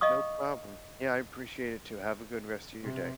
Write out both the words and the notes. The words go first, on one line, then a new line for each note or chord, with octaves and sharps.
No problem, yeah, I appreciate it too. Have a good rest of your day,
D#5 F5 C#6 D#6
C3